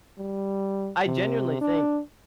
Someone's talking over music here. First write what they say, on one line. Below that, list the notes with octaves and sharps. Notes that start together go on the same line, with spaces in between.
I genuinely think
G3
C3
D4